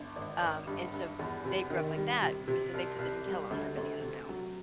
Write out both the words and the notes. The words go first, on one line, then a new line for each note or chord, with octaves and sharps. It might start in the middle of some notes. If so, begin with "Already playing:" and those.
Um, and so, they grew up like that, but so they put the Nutella on their bananas now.
Already playing: G1
G#1
G#1
G2
G2
E2
C3
D#3
G3
C3
C3
C2
C2
G3
D2
D2
C3
F#3